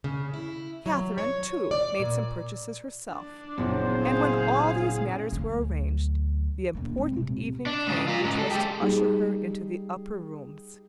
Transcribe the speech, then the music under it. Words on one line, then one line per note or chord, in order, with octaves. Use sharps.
Catherine too made some purchases herself, and when all these matters were arranged, the important evening came which was to usher her into the Upper Rooms.
C#3
E4
F#3
C#5
D5
A#2
D4
F#1 A#2 B3 C5
G#4 F5
D2 F#3
E1 A#3
G#3 C4
D1 C3
D4
G#2 C#3
F4 A#4
G#2 C#3
A4
G#3 G4
G3 D#4 G#4